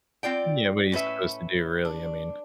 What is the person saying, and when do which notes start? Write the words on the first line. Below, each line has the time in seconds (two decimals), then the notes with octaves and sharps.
Yeah, what are you supposed to do, really, I mean.
0.23 C4 F4 D5 G5
0.92 A2 C#4 B4 E5
1.85 D4